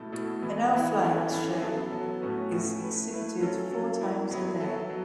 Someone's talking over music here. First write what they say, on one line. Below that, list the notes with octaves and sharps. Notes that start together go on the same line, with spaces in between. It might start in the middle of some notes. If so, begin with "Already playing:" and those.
An owl flight show is exhibited four times a day.
Already playing: B2 A3 E4 A4
B2 A3 E4 A4
E3 B3 E4
E3 B3 E4
E3 C#4 E4 A4
E3 C#4 E4 A4
F#3 B3 A4
F#3 B3 A4
A2 A3 C#4 F#4 B4
A2 A3 C#4 F#4 B4
A3 E4 B4
A3 E4 B4
F#3 C#4 A4
F#3 C#4 A4
F#3 B3 E4
F#3 B3 E4
F#3 B3 A4
F#3